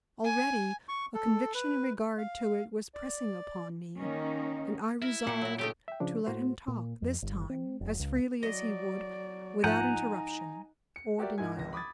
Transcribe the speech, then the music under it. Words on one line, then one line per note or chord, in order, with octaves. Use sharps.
Already a conviction in regard to it was pressing upon me, and I resolved to let him talk, this time, as freely as he would, without interruption or denial.
G#5
C#6
A4
B4
F5
D5
D#3 A#3 C#4 D#4
E4 A#4
A#2 G4 F#5
F#3 A#5
C#3 A3 D#4 G4
E5 G5
C#3 F3 D4
A2 F#4 C5
A#2
F2
G1
C4
F1
C#2
F#3 D5 D#5
G#2 F3 D#4 F#5 G#5 A#5 G6
C#7
F#4 G4 A#4 D5 E5
G#2 D#4 E4 A#4 G#5 G#6
G#1 C#2 A#6
B5 D6 D#6 G#6 A6